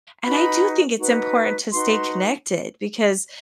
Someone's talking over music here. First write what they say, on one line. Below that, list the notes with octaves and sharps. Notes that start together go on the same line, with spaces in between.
and I do think it's important to stay connected because
D#4 F#4 B4 B5
D#4 F#4 B4
D#4 F#4 B4 C6